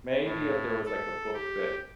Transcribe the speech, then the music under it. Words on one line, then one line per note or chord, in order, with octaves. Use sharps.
Maybe if there was, like, a book that
A2
A4
G4